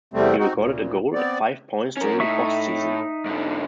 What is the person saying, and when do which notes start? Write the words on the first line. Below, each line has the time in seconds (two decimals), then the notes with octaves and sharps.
He recorded a goal and five points during the postseason.
0.14 E2 C3 G3 A3 C4
0.39 C4 D#4 F#4
0.54 D2 A#2
1.14 B3 C4 D5
1.97 C#4 A#4
2.20 A2 D#4 E5 C#6
3.26 G#2 D3